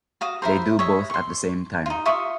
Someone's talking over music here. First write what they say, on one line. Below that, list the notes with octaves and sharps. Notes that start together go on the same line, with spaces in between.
They do both at the same time.
F#4 F5 D#6
E4 A#4 C5
C#5 D#5 E5
C6 C#6
D#4 F4
F4 E5 C#6 D#6